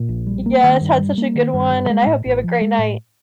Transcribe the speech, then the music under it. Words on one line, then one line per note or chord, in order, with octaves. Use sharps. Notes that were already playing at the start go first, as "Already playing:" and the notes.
Yes. Had such a good one, and I hope you have a great night.
Already playing: A#2
A#1
G3
A#3
D#3
G2
G3
A#3
D#3
G2
G3
G#3
A2
A1
F3
G#3
A2